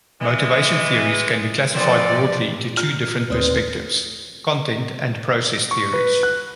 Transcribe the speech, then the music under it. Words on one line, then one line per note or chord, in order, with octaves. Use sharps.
Motivation theories can be classified broadly into two different perspectives: Content and Process theories.
E3 G#3
A#2 F3 B3 C4 D5
F4 F6
A1 D#2 C4 B4 C#5 D5 D#6
C#6
B4
F#6